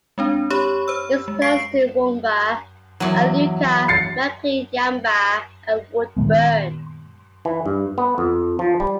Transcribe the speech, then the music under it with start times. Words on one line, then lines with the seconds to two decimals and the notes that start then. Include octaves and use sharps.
It is close to Woombah, Iluka, Maclean, Yamba and Woodburn.
0.18 G#3 C4 D4
0.50 G4 C#5 B5 C#6
0.88 C5 E6
1.28 G#3
1.42 F5 C#6 C7 D7
3.00 E2 F#3
3.88 A6 C7 C#7
6.17 A#2 D#3 G#3 B3
7.45 E3
7.66 G2
7.98 B3
8.18 F2
8.59 F3
8.80 G3